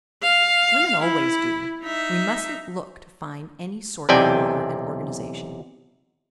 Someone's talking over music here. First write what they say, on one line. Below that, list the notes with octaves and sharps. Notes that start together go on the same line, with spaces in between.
"Women always do. We mustn't look to find any sort of order and organization."
F5
E4
D#4 E5
B1 E2 C3 D5 G5 G#5